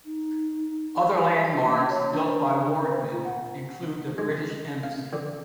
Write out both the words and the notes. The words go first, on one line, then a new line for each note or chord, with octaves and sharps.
Other landmarks built by Wardman include the British Embassy.
D#4
F#4
A#3
C#4
C#5
D4
C5
F5
D3
A#5
C5
F4
F#5
G#3
F5
D3